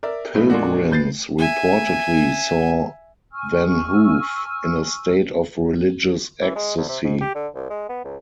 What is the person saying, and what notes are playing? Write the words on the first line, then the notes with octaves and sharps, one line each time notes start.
Pilgrims reportedly saw Van Hoof in a state of religious ecstasy.
A#4 D5 E5
A2 C#3 F#3 A3 B3 D#4
A#2 G#3 A#3 D4 F#4
B4 G6 A6 C7
E5 G#5
G#5 C#6 E6 F6
E3
G#3
D2
C3
G#2
G4
D3
C2
G#3
B3
C#2